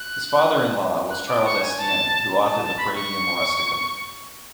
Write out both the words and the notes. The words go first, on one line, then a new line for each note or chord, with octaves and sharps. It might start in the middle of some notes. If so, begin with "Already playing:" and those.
His father-in-law was Charles Estienne who authored the Praedieum rusticum.
Already playing: F#6
F#6
D6
C#6
G#5
A5
A5
A5
B5
C#6